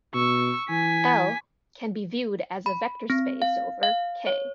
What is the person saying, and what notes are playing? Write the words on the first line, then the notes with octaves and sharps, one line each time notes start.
"L" can be viewed as a vector space over "K".
B2 C#6 E6
E3 G#5 B6
B5
C4
F5
F5
C#5